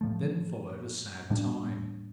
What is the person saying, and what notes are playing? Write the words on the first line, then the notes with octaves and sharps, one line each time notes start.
Then followed a sad time.
A2 F3 A3
A2 G3 D4